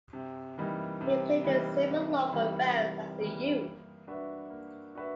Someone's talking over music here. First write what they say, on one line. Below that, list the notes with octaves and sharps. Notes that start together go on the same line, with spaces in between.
He played in several local bands as a youth.
C3
E3 G3 A#3 D#4
C3
E3 G3 A#3 D#4
C3
E3 G3 A#3 D#4
C3
E3 G3 A#3 D#4
A#3
D4 F#4 B4 E5
A#3
D4 F#4 B4 E5